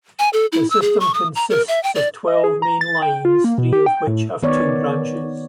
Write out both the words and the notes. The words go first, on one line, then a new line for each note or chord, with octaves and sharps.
The system consists of twelve main lines, three of which have two branches.
G#5
A4
E4
E6
G#4
C#6
D#6
A#5
A#4
E5
G5
D5
D#5
G#4
A#5
A6
G5
F4
A#3
B2
G4
G5
A2
D#3 B3 C#5 D5